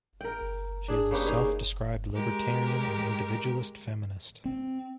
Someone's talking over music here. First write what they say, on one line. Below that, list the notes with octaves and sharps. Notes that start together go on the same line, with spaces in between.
She is a self-described libertarian and individualist feminist.
A#4 G5
D4 G#4
C#3 A#3 B3 G4
A#3 C#4 D#4 G#4
G#3 G4 A#4
C4